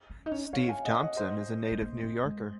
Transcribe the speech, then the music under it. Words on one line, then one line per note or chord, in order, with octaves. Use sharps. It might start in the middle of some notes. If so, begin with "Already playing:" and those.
Steve Thompson is a native New Yorker.
C#4
D#4
C#4
C4 C#5 F5
F5 G#5
D#5 F#5
D#5 F#5
C5 D#5
G#3
A#3
C4
G#3